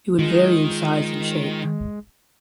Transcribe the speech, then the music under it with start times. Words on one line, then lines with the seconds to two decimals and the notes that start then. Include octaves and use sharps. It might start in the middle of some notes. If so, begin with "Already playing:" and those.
It would vary in size and shape.
0.19 D#3 G#3 F4